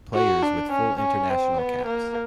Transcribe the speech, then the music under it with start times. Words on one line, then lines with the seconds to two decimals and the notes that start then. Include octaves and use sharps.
Players with full international caps.
0.14 F#4
0.43 D4
0.72 C#4
1.00 C#4
1.29 C4
1.58 B3
1.86 A#3